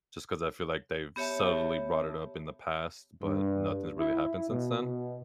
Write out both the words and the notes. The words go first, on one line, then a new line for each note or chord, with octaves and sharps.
just 'cause I feel like they've subtly brought it up in the past, but nothing's really happened since then
B3 G4 C#5 E5 A5
G2
E4
B2